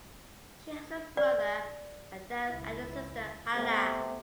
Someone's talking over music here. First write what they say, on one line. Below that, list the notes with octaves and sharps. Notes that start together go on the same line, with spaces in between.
She has a brother, Adel and a sister, Hala.
D5
C#2 E4
C3 A3 B3